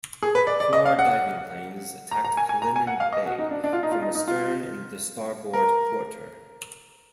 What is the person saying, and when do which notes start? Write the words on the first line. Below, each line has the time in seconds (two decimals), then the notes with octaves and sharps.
Four diving planes attacked "Kalinin Bay" from astern and the starboard quarter.
0.23 G#4
0.35 B4
0.47 D5
0.60 D5
0.73 D#5
0.86 F5
0.99 F#5
2.11 A#5
2.25 A#5
2.37 G#5
2.49 G#5
2.62 A#5
2.76 G#5
2.87 F#5
3.00 F5
3.13 D#5
3.26 F#4
3.39 D#4
3.51 D4
3.64 D4
3.73 F4
3.83 D#4
3.92 F4
4.02 D#4
4.15 D#4
4.28 F4
5.53 A#4